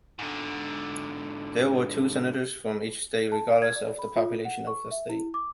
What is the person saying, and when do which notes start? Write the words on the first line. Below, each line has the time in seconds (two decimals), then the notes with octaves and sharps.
There were two senators from each state regardless of the population of the state.
0.19 G#2 D3
3.32 A5
3.48 F5
3.62 G#6
3.76 D5
3.99 B5
4.16 F4
4.45 F#5
4.67 C#6
4.91 E5
5.09 E4
5.34 D6